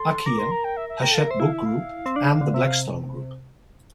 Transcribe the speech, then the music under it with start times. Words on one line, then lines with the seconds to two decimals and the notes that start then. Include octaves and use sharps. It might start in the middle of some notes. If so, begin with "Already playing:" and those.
Acquia, Hachette Book Group and The Blackstone Group.
Already playing: A4 C6
0.26 A#4 D6
0.39 C6
0.51 A#5
0.64 G5
0.77 E5
0.89 E5
1.02 A#4 G5
1.11 A4 F5
1.21 A#4
1.27 C5 E5
1.40 E4 F5
1.53 E5
1.65 F5
2.06 C4
2.16 D4
2.41 D3
2.54 C3 E5
2.67 F5